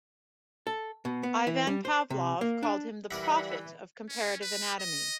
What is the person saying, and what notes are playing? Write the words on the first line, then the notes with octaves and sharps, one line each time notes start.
Ivan Pavlov called him the "prophet of comparative anatomy".
A4
B2
B3
E3
G3
C5
C3
A#3
D4
E3 G3 A#4 D5 E5 F#5 A#5 B5
C#4
B4
D#5